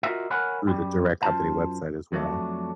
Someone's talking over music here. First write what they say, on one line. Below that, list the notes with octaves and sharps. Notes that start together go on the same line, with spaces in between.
through the direct company website as well.
F4 F#4 A#4 D#5 E5
A#4 C#5 F5 F#5 G#5 B5
F#2 G3
F#2 F4 C5 A5
F2 F#3 A3 D4